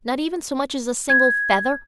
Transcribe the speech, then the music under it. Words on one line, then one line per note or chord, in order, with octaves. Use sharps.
"Not even so much as a single feather?"
G#6